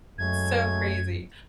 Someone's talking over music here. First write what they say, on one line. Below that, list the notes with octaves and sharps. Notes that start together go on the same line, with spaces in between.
It's so crazy.
F#2 F#3 G#3 A3 G#6